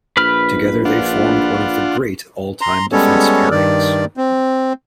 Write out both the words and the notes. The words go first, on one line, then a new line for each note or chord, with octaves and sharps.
Together they formed one of the great all-time defence pairings.
A#1 B4 B5 F6
D4 F4 F#5
A#5 C6
G3 G#3 B3 C#4 A4 C#5
G2 D#3 D5
C4